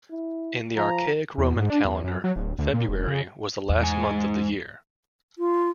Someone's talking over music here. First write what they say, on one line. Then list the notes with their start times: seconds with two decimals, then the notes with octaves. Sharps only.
In the archaic Roman calendar, February was the last month of the year.
0.10 E4
0.76 F3 A#5
1.38 E2
1.56 G#2
1.70 D4
1.85 E2
2.04 F#2
2.24 F#3
2.36 D1
2.59 D2
2.73 A#2
2.89 E1
3.08 C#3
3.69 E2
3.82 G#2 G#5
5.38 F4